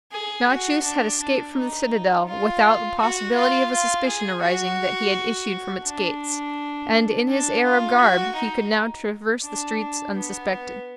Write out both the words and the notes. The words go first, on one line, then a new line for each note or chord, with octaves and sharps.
Malchus had escaped from the citadel without the possibility of a suspicion arising that he had issued from its gates, and in his Arab garb he could now traverse the streets unsuspected.
G#4
F#4
D4
D4
D#4
F4
F#4
F4
F4
G#4
F#4
D4
D4
F4
F#4
D#4
D4
B3